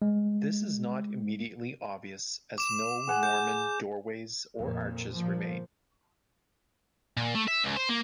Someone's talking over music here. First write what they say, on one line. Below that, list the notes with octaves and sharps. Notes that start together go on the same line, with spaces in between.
This is not immediately obvious as no Norman doorways or arches remain.
G#3
D6 E7
G#4 F#5 G#5
G6
F2 A#2
A#2 F3
A#2
A3
E5
C#2
C5
A#3